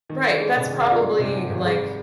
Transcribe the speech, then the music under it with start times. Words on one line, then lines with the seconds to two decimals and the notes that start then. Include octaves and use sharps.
Right, that's probably, like,
0.10 D#3
0.25 D4 G4
0.40 G#3 G#4
0.57 C3
0.72 D#3
0.87 D4 F4
1.02 G#3 G4
1.19 C3
1.34 G#2
1.50 G#1
1.61 G4
1.65 G3 G#4